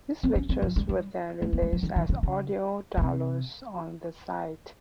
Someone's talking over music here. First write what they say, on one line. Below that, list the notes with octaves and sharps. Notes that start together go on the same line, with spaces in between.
These lectures were then released as audio downloads on the site.
C4
C#4
C4
F3
G3
G3
G#3
A#3
G#3
F3
D#3
D#3
C#3
C#3
C#3
C3